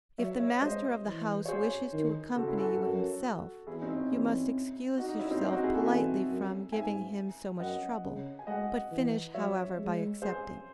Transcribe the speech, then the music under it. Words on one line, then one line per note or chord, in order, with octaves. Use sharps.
If the master of the house wishes to accompany you himself, you must excuse yourself politely from giving him so much trouble, but finish however by accepting.
F#3 C#5 E5
C#5 E5
G#3 C5 D#5
E3
C#5
G#4 C5
D#3
C#3 F#4 A4
E4 G#4
F#4 A4
F#2 F#4 A4
E2 E4 G#4
C4 D#4
C#4
E2 E4 G#4
D#4 F#4
D#4 F#4
C#4 E4
C4 D#4
C4 D#4
D#4 F#4
E4 G#4
F#4 A4
E2 E5 G#5
F#2
G#2 E5 G#5
F#2 D#5 F#5
C#3
G#5
G#3 D#5 F#5
E3
F#3 C#5 E5
G#3
G#4 C5